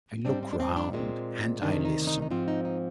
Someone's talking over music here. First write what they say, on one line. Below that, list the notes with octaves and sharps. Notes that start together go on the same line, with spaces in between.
I look round and I listen.
G#2 G3 C4 D4
C4
D4
C4
D4
A#2 G#3 C4 D#4
D2 C3 D#3 D4
D#4
D#4
D#4
G#2 F3 C4 F4
D#4
D#4